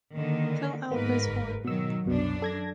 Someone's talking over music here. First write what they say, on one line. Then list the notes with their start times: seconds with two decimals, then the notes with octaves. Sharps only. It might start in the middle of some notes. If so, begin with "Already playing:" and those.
Fill out this form.
0.15 D3 D#3 A#3
0.92 G#2 A#3 B3 A#4 B4
1.28 G1
1.65 B2 D#3 F#3 E6
2.05 C2 F#2 B2 D4
2.42 A4 G#6 A#6